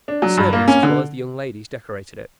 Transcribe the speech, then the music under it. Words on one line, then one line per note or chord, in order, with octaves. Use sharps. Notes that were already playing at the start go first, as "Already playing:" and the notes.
The servants, as well as the young ladies, decorated it.
D4
F#3
G2
A#3
C#4
D3